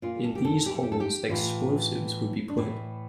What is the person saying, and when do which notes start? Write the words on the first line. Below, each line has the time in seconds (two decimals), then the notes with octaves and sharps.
In these holes explosives would be put.
0.02 A#2 F4
0.24 A4
0.35 G4
0.45 A4
0.66 G4
0.74 A4
0.83 G4
0.92 A4
1.00 G4
1.29 A2 E3 F4
2.49 D4
2.57 A2 E3 E4